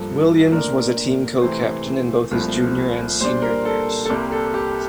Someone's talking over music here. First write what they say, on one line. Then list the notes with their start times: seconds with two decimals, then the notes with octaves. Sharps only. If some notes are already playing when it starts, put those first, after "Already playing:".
Williams was a team co-captain in both his junior and senior years.
Already playing: G2 F3 A#3 A4
0.52 A#2 A3 D4 A#4
1.41 C3 E3 A3 C4 C5
2.31 C2 A#2 F3 A3
3.20 A#2 G3 D4 C5
3.42 A#4
3.65 A4
4.05 A4
4.09 C2 C3 G3 A#3 G4
4.32 A4
4.54 G4